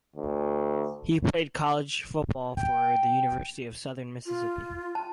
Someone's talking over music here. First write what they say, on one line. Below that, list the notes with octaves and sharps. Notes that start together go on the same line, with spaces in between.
He played college football for the University of Southern Mississippi.
D2
G5
F4
A5